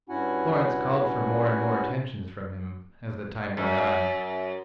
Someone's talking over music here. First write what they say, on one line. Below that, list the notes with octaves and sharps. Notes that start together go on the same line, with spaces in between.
Florence called for more and more attentions from him as the time went on.
G2 C#4 E4 F#4 F#5 G#5
F#2